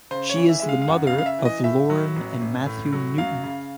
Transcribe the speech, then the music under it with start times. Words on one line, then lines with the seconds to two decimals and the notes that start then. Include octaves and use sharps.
She is the mother of Lauren and Matthew Newton.
0.11 C#3 C5
0.30 C#5
0.36 E3
0.49 E5
0.60 G#3 E5
0.69 F5
0.82 F5
0.88 F#2 F#5
1.07 F5
1.13 C#3
1.18 F5
1.26 E5
1.39 E3
1.45 D#5
1.64 A2 E5
1.90 F#3
2.16 A1
2.41 A1
2.66 A2
2.93 F#3
3.18 F#2 F5
3.43 C#3